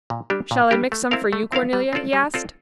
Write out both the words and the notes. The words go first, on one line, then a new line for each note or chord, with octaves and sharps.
"Shall I mix some for you, Cornelia?" he asked.
A#2
G3 D4 G4
A#2
G3 D4 G4
A3
C4 E4 A#4 F5
A3
C4 E4 A#4 F5
G3
C4 F4 A4 D5
G3
C4 F4 A4 D5